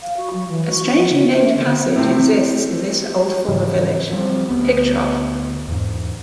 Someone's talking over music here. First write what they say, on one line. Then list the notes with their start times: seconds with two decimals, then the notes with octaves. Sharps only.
A strangely named passage exists in this old former village - "Pig Trough".
0.02 F5
0.16 F#4
0.33 F#3
0.48 E3
0.70 F#4
0.85 C4
0.98 F3
1.11 C#3
1.28 C5
1.44 E5
1.56 D3
1.68 C4
1.96 A2 C3
3.48 G#2 C#3 E3 F#3
4.12 F3 G3 C4
4.48 D2 B3
5.68 E2 G#2